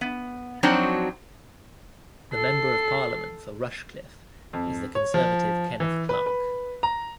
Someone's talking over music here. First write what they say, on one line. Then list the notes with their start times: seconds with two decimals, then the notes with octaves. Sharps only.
The member of parliament for Rushcliffe is the Conservative, Kenneth Clarke.
0.01 B3
0.63 F3 F#3 C4 D4 D#4 F#4
2.34 A4 C7
4.53 F2
4.95 C#5
5.14 F3
5.80 E3
6.09 B4
6.26 B4
6.83 A#5